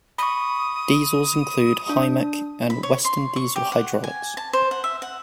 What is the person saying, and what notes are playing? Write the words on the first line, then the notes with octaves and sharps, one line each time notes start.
Diesels include "Hymek" and "Western" diesel-hydraulics.
B5 C#6 D#6
D4
B5
C#5
C6
C#6
G4
F#5
G#5
A5
C5
F#5
E5
F#5